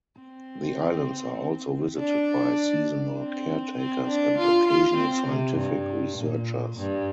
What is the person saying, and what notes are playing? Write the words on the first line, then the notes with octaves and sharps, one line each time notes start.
The islands are also visited by seasonal caretakers and occasional scientific researchers.
C4
D4
C4
C4
D4
F4
F4
C4
C3
G2
A#2
G2